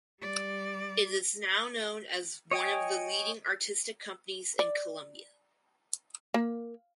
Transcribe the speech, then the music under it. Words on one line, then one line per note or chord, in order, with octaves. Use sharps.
It is now known as one of the leading artistic companies in Colombia.
G3 D5
C#5 D#5 G5 G#5
D5
A#3